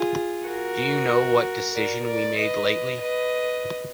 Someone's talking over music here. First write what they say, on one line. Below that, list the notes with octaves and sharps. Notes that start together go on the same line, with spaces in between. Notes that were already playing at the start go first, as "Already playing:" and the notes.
Do you know what decision we made lately?
Already playing: F4 G#4
F#4 A#4
A#4 D5
A#4 D5
B4 D#5
B4 D#5